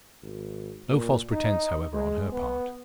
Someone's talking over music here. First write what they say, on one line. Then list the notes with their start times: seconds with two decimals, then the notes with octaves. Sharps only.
No false pretence, however, on her part.
0.23 G#1
0.89 A#2
1.32 D#4
1.93 G#3
2.32 B3